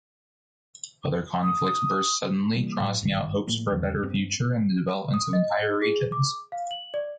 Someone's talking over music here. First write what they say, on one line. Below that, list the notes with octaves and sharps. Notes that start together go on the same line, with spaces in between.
Other conflicts burst suddenly, crossing out hopes for a better future and the development of entire regions.
D#6
C3 E3 G3 A#3
A2 F#3 G#3
G#1 G2 D#3
A2 F3 G#3 A#3
E2 D3 G3
G2 B3 C4
D#6
D#5
G#4
D6
F5
F#7
D5